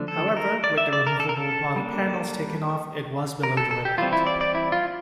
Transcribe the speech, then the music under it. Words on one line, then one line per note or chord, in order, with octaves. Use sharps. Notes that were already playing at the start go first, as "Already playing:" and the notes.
However, with the removable body panels taken-off it was below the limit.
Already playing: D3 F3 A3 D4
A4
A#4
D5
E5
D5
A#4
A4
A#4
A4
G3 A#3 D4
A#4
A4
A4
G4
E3 G3 C4 F4
E4
D5
D5
E4
F4